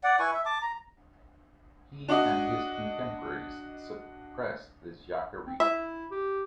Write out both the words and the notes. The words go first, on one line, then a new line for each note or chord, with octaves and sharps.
He and his contemporaries suppressed the Jacquerie.
D5 F#5
E4 B4 G#5 C#6
E5
A5 D6
A#5
D4 F#4 D5 D#5
C4
E4 E5
G4